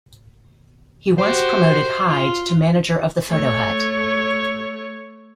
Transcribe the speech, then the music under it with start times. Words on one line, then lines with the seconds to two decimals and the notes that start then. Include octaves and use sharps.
He once promoted Hyde to manager of the Foto Hut.
1.19 F#4 G4 C5
2.08 F4
3.30 A3 C#5